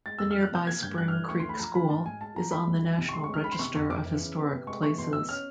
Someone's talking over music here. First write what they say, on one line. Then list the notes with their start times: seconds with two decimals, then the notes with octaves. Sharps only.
The nearby Spring Creek School is on the National Register of Historic Places.
0.06 G#3 A6
0.19 F2 E6
0.31 F6
0.36 F3
0.43 F#6
0.52 C3 G6
0.67 A#3 G#6
0.82 G2 G6
0.97 G3 F#6
1.08 F6
1.13 E3
1.29 D2 C#6
1.39 C6
1.44 D2
1.49 B5
1.59 F3 A#5
1.75 C#3 B5
1.90 G#2 A5
2.06 G#2 G#5
2.21 G#3 A5
2.36 F3 A#5
2.51 G#3 B5
2.67 C2
2.82 D#3
2.98 C3
3.09 C#6
3.13 G#3 C6
3.24 C#6
3.29 C#2 F6
3.44 D#3 B5
3.52 C6
3.59 C3 C#6
3.75 F2 C#6
3.90 F2 D6
4.05 E3
4.21 C#3
4.37 B3
4.52 C3
4.67 G#3 C#6
4.83 E3 C#6
4.98 B2 C6
5.13 B2 E6
5.28 C#4 F6